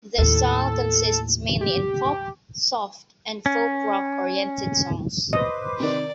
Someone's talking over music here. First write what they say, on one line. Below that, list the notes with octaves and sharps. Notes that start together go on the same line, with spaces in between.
Their style consists mainly in pop, soft and folk rock oriented songs.
D#2 A2 A4
G4
C#4
B4 C5 D#5 D6
C3 D#3 D5